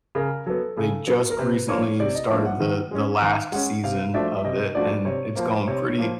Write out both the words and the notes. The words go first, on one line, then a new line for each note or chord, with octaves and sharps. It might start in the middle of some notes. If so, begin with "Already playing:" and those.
they just recently started the the last season of it, and it's going pretty
C#3 A#4
F#3 B3 A4
C#3 A4
F#3 B3 A#4
A#4
C3 B4
F3 A#3 D4 C#5
C3 D5
D#5
F3 A#3 D4 E5
F#5
D#3
G#3 C#4
D#3 F5
G#3 C#4 F#5
C3 F5
F3 A3 D4 F#4 E5
E5
C3 D#5
F3 A3 D4 F#4 D5
C3 C#5
F3 A#3 C5
C3 C#5
C#5
F3 A#3